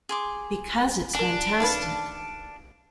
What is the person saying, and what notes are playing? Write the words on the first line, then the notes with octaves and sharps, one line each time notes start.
Because it's fantastic.
G#4 C6 D6
D4 A#4 G#5
D#3 C#4 A4 B4 F5 A5